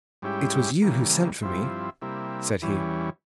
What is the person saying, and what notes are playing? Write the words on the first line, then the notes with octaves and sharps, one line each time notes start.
"It was you who sent for me," said he.
G#2 G3 C#4 E4 G4
C#3 E3 G3 A#3
G2 F3 C4 E4
C3 G3 A#3 E4
E2 E3 G3 C#4